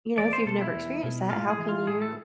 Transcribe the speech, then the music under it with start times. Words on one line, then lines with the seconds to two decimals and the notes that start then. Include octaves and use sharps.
you know, if you've never experienced that, how can you
0.18 E2 D5
0.33 C5
0.46 B2 A4
0.61 E4
0.74 E2
1.03 B2
1.31 A2 F4
1.50 G#4
1.59 E3
1.69 F4
1.87 A2 G#4
2.02 A4